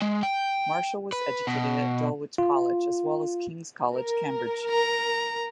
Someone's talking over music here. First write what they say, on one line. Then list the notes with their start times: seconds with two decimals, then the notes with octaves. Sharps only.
Marshall was educated at Dulwich College as well as King's College, Cambridge.
0.02 G#3
0.23 G5
1.13 B4
1.47 B2
2.38 F4
3.94 A#4
4.70 A#5